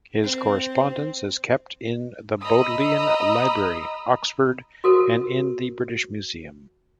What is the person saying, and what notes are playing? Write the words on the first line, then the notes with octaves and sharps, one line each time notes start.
His correspondence is kept in the Bodleian Library, Oxford and in the British Museum.
C4
D#5 A#5 B5 D#6 E6
F#4 A4 A#4 C5